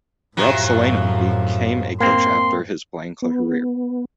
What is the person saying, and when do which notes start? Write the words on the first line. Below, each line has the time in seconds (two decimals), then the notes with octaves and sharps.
Ruotsalainen became a coach after his playing career.
0.37 F#2 A2 C3 F3 F#3
2.01 A#3 C4 C6
3.22 B3